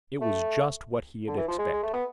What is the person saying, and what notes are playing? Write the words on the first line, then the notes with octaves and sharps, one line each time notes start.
It was just what he had expected.
A3
D3
E3
F3
G#3
G#3
A3
B3